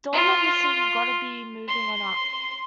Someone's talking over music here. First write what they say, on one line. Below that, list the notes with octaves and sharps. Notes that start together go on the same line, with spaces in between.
Dawn on the single "Gotta Be Movin' On Up".
F4
C6